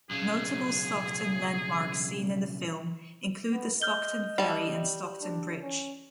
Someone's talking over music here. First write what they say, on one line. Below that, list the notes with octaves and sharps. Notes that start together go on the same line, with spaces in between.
Notable Stockton landmarks seen in the film include the Stockton Ferry and Stockton Bridge.
B1 C#3 G#4
B3
D#5 F6 G6 G7
G3 A5
D4
C#4